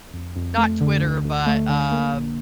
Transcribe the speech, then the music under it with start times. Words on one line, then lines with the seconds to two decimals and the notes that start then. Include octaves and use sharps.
not Twitter, but, um,
0.13 F2
0.36 F2
0.57 A3
0.81 D3
1.03 D2
1.25 D2
1.46 A3
1.69 D3
1.91 A#3
2.13 A#1